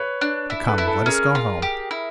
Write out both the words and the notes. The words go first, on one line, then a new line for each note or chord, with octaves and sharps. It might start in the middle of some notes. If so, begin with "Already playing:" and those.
But come, let us go home!
Already playing: B4 C#5
D4
E4
A4 B4
E4
A4 B4
C#4 G#4 A#4
F4
G4
E4